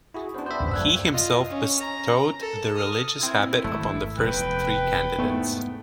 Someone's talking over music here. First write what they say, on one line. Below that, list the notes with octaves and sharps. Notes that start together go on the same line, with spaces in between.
He himself bestowed the religious habit upon the first three candidates.
E4 F#4 G#4
B3 C#4 D4 C5
D4 G4 B4 C5 E5
A1 D#2 C#4
F#2 A#2 F3 A3 E6 F#6 G#6
F4 D#5
C#4
A#5
A4
D#6 F6
C4 E4 G#6
D#1 G#1 A3
F1 E2 B4 G5
E2 G#2 A3 B3